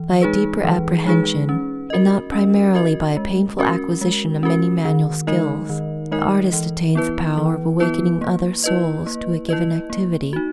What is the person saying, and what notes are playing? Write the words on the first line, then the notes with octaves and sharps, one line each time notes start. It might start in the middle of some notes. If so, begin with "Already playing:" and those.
By a deeper apprehension, and not primarily by a painful acquisition of many manual skills, the artist attains the power of awakening other souls to a given activity.
Already playing: E3
G#3 D#4 G#4 B4
E3
G#3 D#4 G#4 B4
C#4
F#4 A#4 D#5
C#4
F#4 A#4 D#5
G#3
C#4 F#4 A#4
G#3
C#4 F#4 A#4
D#3
G#3 D#4 A#4 D#5
D#3
G#3 D#4 A#4 D#5
E3
B3 E4 B4
E3
B3 E4 B4
A#3
E4 B4 D#5
A#3
E4 B4 D#5
A#3
D#4 F#4